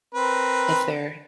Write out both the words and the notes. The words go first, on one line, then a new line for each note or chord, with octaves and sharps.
if they're
C4 A#4 B4